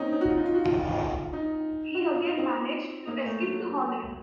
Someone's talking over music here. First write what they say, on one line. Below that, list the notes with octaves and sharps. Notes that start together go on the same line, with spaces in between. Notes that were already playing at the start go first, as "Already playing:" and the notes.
He again managed to escape to Holland.
Already playing: A#3 C4 C#4 D#4
D#4
F#4
F4
D#4
F4
F#4
F4
D#4
F#4
F4
F4
D#4
C4
A#3
A3
F#3